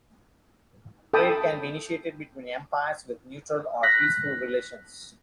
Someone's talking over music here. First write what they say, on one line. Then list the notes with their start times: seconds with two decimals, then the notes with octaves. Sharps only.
Trade can be initiated between empires with neutral or peaceful relations.
1.13 A4 G5 A5 B5 D#6
3.83 F#6 A#6 B6